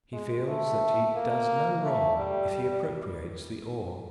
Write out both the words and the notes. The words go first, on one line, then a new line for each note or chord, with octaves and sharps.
He feels that he does no wrong if he appropriates the ore.
G#3
A3
A#3
A3
G3
G3